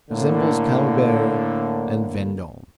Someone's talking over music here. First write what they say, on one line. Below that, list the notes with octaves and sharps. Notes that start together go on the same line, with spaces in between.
Resembles Camembert and Vendome.
A2 D3 A#3